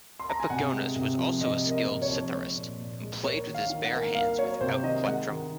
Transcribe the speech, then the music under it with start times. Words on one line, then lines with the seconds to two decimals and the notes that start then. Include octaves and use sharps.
Epigonus was also a skilled citharist and played with his bare hands without plectrum.
0.20 C6
0.29 A#5
0.40 G#5
0.50 C3 F#5
0.73 G#3
0.96 C3
1.18 F3
1.41 C3 D#5
1.65 A#3
1.72 D#5
1.87 C3
2.02 C#5
2.10 F3
2.33 G#3 C#5
2.56 A#2
2.79 A#2
3.01 G#3
3.24 A#3 C#5
3.47 D#3
3.54 F5
3.70 D#3
3.85 F#5
3.92 A#3
4.15 A#3 F5
4.38 F#3 C#5
4.61 C3 C5
4.83 D#3 D#5
5.06 G#3 F#5
5.29 D#3